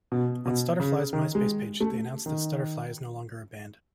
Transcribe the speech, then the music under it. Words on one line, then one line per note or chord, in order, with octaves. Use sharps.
On Stutterfly's Myspace page they announced that Stutterfly is no longer a band.
B2
B2
C#3
D#3
G#3
A3
D#3